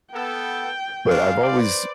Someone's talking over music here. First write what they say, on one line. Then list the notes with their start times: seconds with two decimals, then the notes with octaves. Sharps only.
but I've always
0.14 B3 A4 G5
1.08 G#3 C#4 D4 F5
1.44 B4 C5 D5